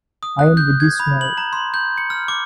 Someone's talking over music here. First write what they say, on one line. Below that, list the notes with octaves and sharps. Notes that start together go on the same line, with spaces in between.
I am Buddhist now.
D#6
F#6
G6
G#6
B5
F#7
A#5
C6
G6
C#7
F6
D6